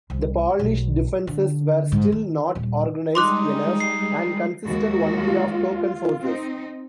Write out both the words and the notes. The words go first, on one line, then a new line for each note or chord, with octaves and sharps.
The Polish defences were still not organised enough and consisted only of token forces.
C2
B1
D3
G#2
D#3
D#1
G3 G#3 D#4 C6 D6 F#6
C7
D#2 G#3 F#4
F4
C4 D#4